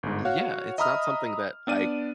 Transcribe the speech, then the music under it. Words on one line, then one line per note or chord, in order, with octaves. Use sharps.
yeah, it's not something that I
G1 G#2
F#4 C#5 F5 F#5
D#5 E5 A#5 B5 D#6 F6
B3 D4 D5 D#7